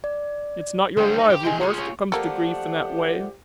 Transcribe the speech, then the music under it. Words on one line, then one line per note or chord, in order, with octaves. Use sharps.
It's not your lively horse that comes to grief in that way.
D5
D3 G3 C5 F5 G5
D#4
G4
E3 G#4 D#5 G5 C6
F4 G#4 C#5 C6
C#5
F3 A3 A#3 D4 G4 A4 F#5